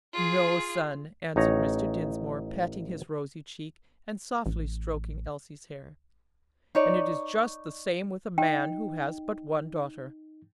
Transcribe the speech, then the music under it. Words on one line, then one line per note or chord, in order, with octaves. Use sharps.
"No, son," answered Mr. Dinsmore, patting his rosy cheek, and softly stroking Elsie's hair, "and it is just the same with a man who has but one daughter."
F4 G#4
A1 D#4 C#5 A#5
A1
D#4 C#5 D5
D#4 G5